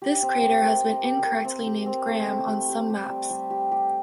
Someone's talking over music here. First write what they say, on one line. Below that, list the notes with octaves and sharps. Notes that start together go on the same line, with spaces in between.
This crater has been incorrectly named 'Graham' on some maps.
G4
C4
G4
A#4
C4
G4
A#4
C4
G4
C4
A3
C4
G4
G4
G4
G3
G3
G4
G4